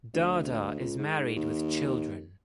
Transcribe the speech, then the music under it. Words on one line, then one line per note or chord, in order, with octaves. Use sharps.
Dada is married with children.
D2
C#2
G#2
D#2